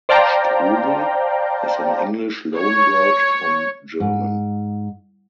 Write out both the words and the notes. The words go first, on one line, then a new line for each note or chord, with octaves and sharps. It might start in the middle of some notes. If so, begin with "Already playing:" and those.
Strudel is an English loanword from German.
C5 D5 F5 G5 A5 A#5
C#5
G#2